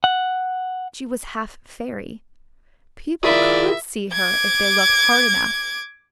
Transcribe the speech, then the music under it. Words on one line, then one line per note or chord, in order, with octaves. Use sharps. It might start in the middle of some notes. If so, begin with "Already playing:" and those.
She was half fairy. People could see her if they looked hard enough.
F#5
E4 F4 G#4 A#4 D5 E5 B5
D6 G#6